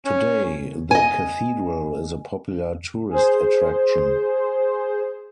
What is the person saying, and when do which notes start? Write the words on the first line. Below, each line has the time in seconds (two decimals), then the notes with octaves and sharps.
Today, the cathedral is a popular tourist attraction.
0.05 C#4
0.91 D#5 G#5
3.10 G#4 C5